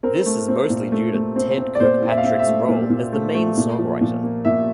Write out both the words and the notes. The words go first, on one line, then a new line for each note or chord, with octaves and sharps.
This is mostly due to Ted Kirkpatrick's role as the main songwriter.
C4 A#4
A3
C4
A#2
A3
A3
C4
C4
D5
A#2 C5
A#2
E5
F5
C4 E5
E5
A3
A#2
A#2
A3
A3
A#2
F3
A#2
A#3
A#2 E5